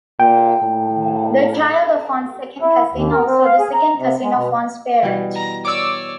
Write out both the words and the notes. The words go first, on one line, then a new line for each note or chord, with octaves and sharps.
The child of one's second cousin; also the second cousin of one's parent.
A#2 G5
A2
E4
D#2
A#4
C4
F5
G#4
A#5
C3
G#3
B2
B2 E3 G3
A#5
C#5 D5 D6 E6